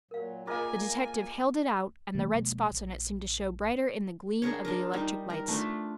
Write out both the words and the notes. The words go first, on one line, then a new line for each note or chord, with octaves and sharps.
The detective held it out, and the red spots on it seemed to show brighter in the gleam of the electric lights.
A#2 F#3 A#4 F5
A#3 F4 G#4 A#4 D5 D#5 F5 G#5
C3 E3 A3 A#3
B2 F3 G#3 A#3
A#1
D4 G#4 A#4 C#5
D4 F4 A#4
G3 D#4
A#4
A3 D4 F4